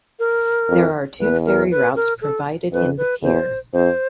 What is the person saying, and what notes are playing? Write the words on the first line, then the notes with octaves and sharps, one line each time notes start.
There are two ferry routes provided in the pier.
A#4
F2
E2 B4
A#4
B4
A#4
A4
F2 B4
B4
E2 C5
F2 C5